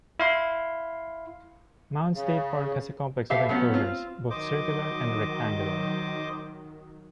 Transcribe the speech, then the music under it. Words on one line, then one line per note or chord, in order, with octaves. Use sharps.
Mounds State Park has a complex of enclosures, both circular and rectangular.
E4 F5 C6
C#3
G4 A4 B4 E5 F5
F#3 A3 B3 C#4
C4 F4
D#3 F#3 C5 D#5 D6